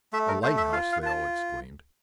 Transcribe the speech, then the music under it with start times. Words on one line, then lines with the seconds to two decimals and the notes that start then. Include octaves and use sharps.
"A lighthouse!" they all exclaimed.
0.13 A3 E5
0.28 A#4
0.43 A3 C5
0.57 E5
0.72 F4 F5
0.92 F5
1.02 F4 A5